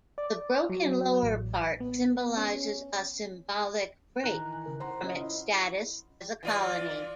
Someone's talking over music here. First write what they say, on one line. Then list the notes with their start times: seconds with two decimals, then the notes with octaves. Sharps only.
The broken lower part symbolises a symbolic break from its status as a colony.
0.18 D5
0.69 F#3
1.23 A1
1.80 B3
2.37 C#4
4.24 D#3 E3 G#5 A#5 F#6
4.66 C#3 A#4
4.80 C5 F#5 A#5 C6
5.04 C#4 F4 D#5
5.20 E4
6.43 E3 F4 D5